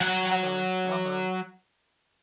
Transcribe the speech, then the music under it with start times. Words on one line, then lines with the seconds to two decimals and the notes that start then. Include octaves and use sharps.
Uh-huh, uh-huh,
0.01 F#3 F#5